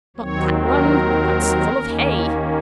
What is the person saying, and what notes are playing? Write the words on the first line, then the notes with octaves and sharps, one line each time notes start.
Not that one--that's full of hay!'
D#2 D#3 F#3 C4 C#5
A#4
D#2 D#3 A#3 C#4